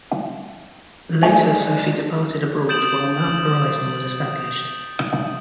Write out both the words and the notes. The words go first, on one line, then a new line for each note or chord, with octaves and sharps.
Later Sophie departed abroad while Mount Horizon was established.
G#3 A3 D4 D#4 G#5
D#6 G6 A6 D7 E7 F#7